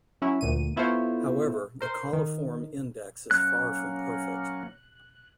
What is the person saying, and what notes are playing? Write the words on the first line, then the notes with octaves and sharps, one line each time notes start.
However, the coliform index is far from perfect.
F#3 C#4 E4
D2 A#2 D#7
B3 E4 F4 A4 C5 C#5
A#4 C5 C6
D#3
F#3 A#3 C#4 F#6